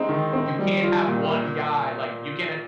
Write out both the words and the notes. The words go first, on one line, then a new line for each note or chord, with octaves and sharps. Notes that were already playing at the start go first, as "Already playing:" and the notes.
You can't have one guy, like, you can ha
Already playing: G#3 C4 D#4
D#3
C4
G3
F4
A#2
A#3